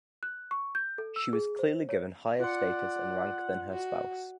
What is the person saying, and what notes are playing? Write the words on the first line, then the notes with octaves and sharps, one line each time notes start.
She was clearly given higher status and rank than her spouse.
F#6
C#6
G6
A4
E6
G#4
C5
C#5
F4 D5 F#5 C6
F#4